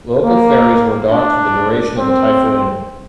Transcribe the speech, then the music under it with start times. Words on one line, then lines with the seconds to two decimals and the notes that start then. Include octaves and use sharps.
Local ferries were docked for the duration of the typhoon.
0.25 A#3
1.12 D4
1.98 C4